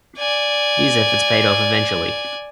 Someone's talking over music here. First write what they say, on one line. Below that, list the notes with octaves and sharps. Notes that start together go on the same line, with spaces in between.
These efforts paid off eventually.
D5 G#5